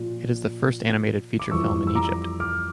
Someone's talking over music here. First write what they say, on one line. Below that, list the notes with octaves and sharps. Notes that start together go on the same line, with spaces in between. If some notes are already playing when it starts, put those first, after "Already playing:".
It is the first animated feature film in Egypt.
Already playing: A#2 F3
D6
F2 E3 G3 C#6 E6
E6
A#5 D6
D6 F6